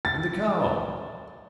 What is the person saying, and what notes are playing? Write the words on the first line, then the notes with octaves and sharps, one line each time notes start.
"And the cow?"
A6